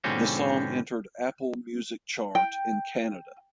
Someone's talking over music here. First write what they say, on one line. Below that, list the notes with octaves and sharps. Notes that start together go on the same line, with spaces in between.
The song entered Apple Music chart in Canada.
G#2 B2 D3 F3 C4 C#4
G5